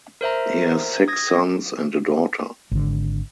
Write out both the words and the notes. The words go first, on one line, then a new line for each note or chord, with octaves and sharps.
He has six sons and a daughter.
A#4 C5 E5 A#5
D#6 G#6 A#6
G#1 D3